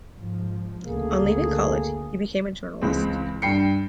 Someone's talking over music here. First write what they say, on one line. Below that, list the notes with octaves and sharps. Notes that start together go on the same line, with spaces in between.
On leaving college, he became a journalist.
G#2 F3
D2 C#3 A3 A#3 G#4
C#2 E3 G#3 C4
G2 G5 C7 C#7